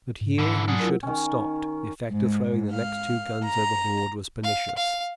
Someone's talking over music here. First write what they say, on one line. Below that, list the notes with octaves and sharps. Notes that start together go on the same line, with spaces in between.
But here he should have stopped; the effect of throwing the next two guns overboard was pernicious.
G#2
D3 E3
F#3 D4 G#4
E4 F4 A#4
D#3 C#4
G#2
F5
A#5
F5
F5